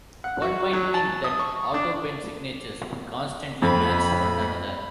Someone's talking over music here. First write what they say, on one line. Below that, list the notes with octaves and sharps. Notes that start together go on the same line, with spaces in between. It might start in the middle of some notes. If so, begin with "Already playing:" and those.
One might think that autopen signatures would constantly match one another.
F#5
F#4
F#3
A5
D#6
C#6
D4
F2 B5